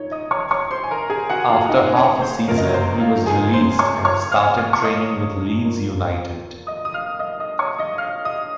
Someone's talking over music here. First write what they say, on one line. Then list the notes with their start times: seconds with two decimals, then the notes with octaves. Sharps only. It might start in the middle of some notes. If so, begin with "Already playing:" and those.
After half a season he was released and started training with Leeds United.
Already playing: F#2 F3 D#4 C#5
0.11 D#5 D#6
0.31 C#5 C#6
0.51 C#5 C#6
0.71 C5 C6
0.84 G#5
0.91 A#4 A#5
1.10 G#4 G#5
1.30 F#4 F#5
1.49 F4 F5
1.69 D#4 D#5
1.95 C#4 C#5
2.21 C5
2.48 C#2 C3 F3 A#3 A#4
2.57 D#5
2.65 C#5
2.74 C5
3.00 F4 F5
3.26 G#4 G#5
3.53 C5 C6
3.79 C#5 C#6
4.05 C#5 C#6
4.31 F5 F6
4.57 F5 F6
4.73 C#6
4.83 D#5 D#6
5.62 A#2 F3 A#3
6.67 D#5 D#6
6.85 D#6
6.94 F5 F6
7.19 D#5 D#6
7.40 D#5 D#6
7.59 C#5 C#6
7.78 D#5 D#6
7.98 F5 F6
8.25 D#5 D#6